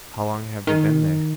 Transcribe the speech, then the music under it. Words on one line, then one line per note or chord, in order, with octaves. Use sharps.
"How long have they been there?"
D#3